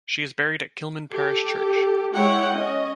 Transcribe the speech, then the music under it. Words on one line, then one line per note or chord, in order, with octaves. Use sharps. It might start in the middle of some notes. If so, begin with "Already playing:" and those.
She is buried at Kilmun Parish Church.
G4 A4
G#3 E4 C#5 F#5 G5
C#4 D#5